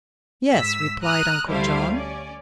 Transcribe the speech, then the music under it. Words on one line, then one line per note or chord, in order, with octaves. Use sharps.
"Yes," replied Uncle John.
G#2 E6 B6
A#5 D#6 F6 F#6
D2 G3 A3 E4 C5 F5
C#4 D5